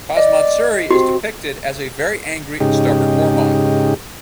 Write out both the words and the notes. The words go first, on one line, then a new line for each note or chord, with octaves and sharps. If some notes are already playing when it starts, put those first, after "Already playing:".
Kazmatsuri is depicted as a very angry and stubborn warmonger.
D5 D#5
C4 F#4 G4
G#2 C#3 D#4 G4